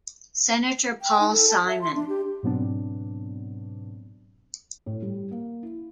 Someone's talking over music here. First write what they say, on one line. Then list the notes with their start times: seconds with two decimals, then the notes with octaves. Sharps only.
Senator Paul Simon.
1.02 G5
1.20 D#4
1.32 A4
1.49 A5
1.68 E5
1.81 C6
1.95 D4
2.09 G4
2.43 G#2 B2 F#3 B3 C4 D4
4.86 A2
5.02 G3
5.31 A#3
5.63 E4